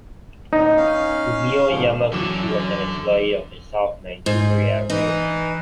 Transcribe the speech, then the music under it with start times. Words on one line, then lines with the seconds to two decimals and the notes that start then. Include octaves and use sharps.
Fumio Yamaguchi was an employee of the South Manchuria Railway.
0.53 A2 D3 B3 D#4
0.77 C#4 F5
1.70 G#2 D3 F3
2.12 F#2 D3 E3 F#3 D6 E7
4.26 G#2
4.90 E3 D#4